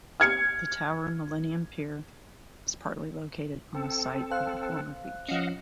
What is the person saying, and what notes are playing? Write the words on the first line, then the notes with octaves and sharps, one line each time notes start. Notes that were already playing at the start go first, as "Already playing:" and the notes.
The Tower Millennium Pier is partly located on the site of the former beach.
F6 G#6 C#7
C4 A4
C5 F5 F#6
F3 C#4 D#5 F5 F#5